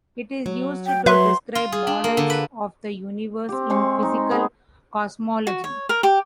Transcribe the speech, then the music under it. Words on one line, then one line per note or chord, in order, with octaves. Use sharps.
It is used to describe models of the universe in physical cosmology.
F#3
G5
F#3 B4 E5 C6
F4
G#4
D4
A#3
D3
B4
C4 G4
G#3 C4 C6 C#6
D#4
B3 G#4
F#4
C#5
A#4
G4